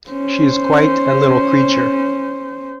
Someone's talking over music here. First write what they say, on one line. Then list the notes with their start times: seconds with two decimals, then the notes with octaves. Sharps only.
She is quite a little creature.
0.10 C#4 C5